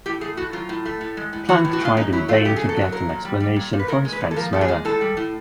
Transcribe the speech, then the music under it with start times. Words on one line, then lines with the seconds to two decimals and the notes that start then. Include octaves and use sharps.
Planck tried in vain to get an explanation for his friend's murder.
0.06 A2 G4
0.21 A3 G#4
0.37 A2 F#4
0.53 F#3 F4
0.69 A2
0.85 A3
1.01 A2
1.17 G#3
1.33 A2
1.49 E3 F#4
1.65 A2
1.73 F#4
1.81 G#3 F4
1.97 F#2 D#4
2.13 F#3 E4
2.28 A3 F4
2.45 C#3 G4
2.56 G#4
2.61 F#2
2.69 A4
2.76 F#3 A#4
2.92 A#2 A#4
3.09 A#2
3.25 G3
3.40 G3
3.56 A#2
3.73 A#2
3.79 B4
3.88 A#2 A#4
4.05 G#3
4.12 B4
4.21 A#2
4.31 A4
4.36 F3 A#4
4.53 A#2 A4
4.61 G#4
4.68 G#3
4.85 A2 A4
5.01 G3
5.17 A2